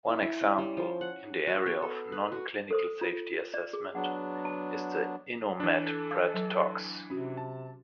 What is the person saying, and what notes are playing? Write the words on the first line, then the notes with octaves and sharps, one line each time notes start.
One example in the area of non-clinical safety assessment is the InnoMed PredTox.
E4
E4
C#4
G3
F3
F#5
F#4
B3
A4
B4
F#4
A4 C5 D#6
F4
D5
G#4
F#3 B3 D4 F#5
A5
E3 D4
A4
F5
F#3
C3 C#4 F#4
A5